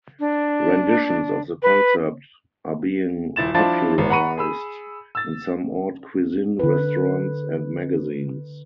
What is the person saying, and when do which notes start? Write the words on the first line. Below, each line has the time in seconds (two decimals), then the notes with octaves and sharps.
Renditions of the concept are being popularized in some haute cuisine restaurants and magazines.
0.20 D4
1.63 B4
3.36 D#1 E4 A6 E7
3.54 F3 D4 E4 F4 A5 A6
3.98 G#1
4.10 F#5 A#5 B5 C#6 C#7 D#7
4.37 G#4 B5 E6
5.15 E6 A6
6.59 D3 B4